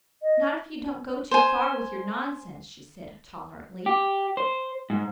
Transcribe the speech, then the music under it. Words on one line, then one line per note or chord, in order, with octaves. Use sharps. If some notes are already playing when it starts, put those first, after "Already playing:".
"Not if you don't go too far with your nonsense," she said tolerantly.
D#5
C5 G#5
G4
C5
G#2